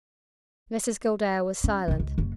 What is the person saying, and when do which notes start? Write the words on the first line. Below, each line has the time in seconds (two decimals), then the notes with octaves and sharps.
Mrs Gildea was silent.
1.64 C#4
1.88 C#3 E3
2.00 C#2
2.18 F#1 F#3